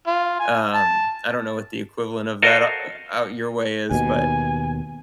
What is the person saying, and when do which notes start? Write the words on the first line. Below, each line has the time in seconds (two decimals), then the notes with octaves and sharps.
Um, I don't know what the equivalent of that out out your way is, but,
0.07 F4
0.39 G#5
0.74 A5
2.42 F#4 A4 A#4 C5 D#5 F5
3.91 D#2 B2 G#5